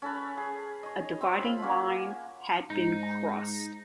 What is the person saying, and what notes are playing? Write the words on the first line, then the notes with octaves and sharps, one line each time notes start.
A dividing line had been crossed.
C#4 A4 B4
G#4
C#5 D#5
C4
F4 B5
A#3 C#4 F#4
G#2 D#4